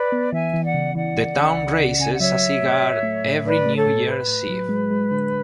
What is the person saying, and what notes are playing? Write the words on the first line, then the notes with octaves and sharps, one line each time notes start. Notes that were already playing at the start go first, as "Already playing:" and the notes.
The town raises a cigar every New Year's Eve.
Already playing: B4 D5
B3
E3 E5 G#5
E3
D5 F#5
C#3
E3 D5 F#5
C#2
C#3
C#2
C#3
C#3 G#5
F#5
F#3 C#5 E5
F#3
A2
F#3
A3
A2
A2 B4 D5
A3
A4 C#5
A2
A2 B4
A2
F#3
G#3
G#3
D3